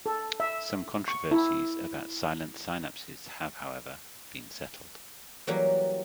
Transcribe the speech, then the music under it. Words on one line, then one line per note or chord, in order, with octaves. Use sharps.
Some controversies about silent synapses have however, been settled.
A4
E5
C#6
E4
E3 F#3 G3 A#3